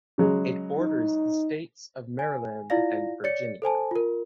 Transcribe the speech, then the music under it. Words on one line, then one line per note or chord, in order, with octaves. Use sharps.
It borders the states of Maryland and Virginia.
C#3 F#3 G#3
D#4
G#5
E4 F4 D5 F5 A#6
C#5 D5 A6 C#7
A4 C5 G#5 A5
F4 A#4